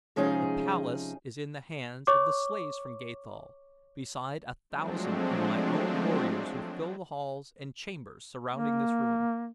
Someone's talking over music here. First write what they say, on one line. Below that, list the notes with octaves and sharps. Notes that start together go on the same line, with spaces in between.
The palace is in the hands of the slaves from Gathol, beside a thousand of my own warriors who fill the halls and chambers surrounding this room.
C3 F3 G#3 C#4 D#4 G#4
C#5 C#6 D6
F3 F#3 G#3 A3 C4 D4
A#3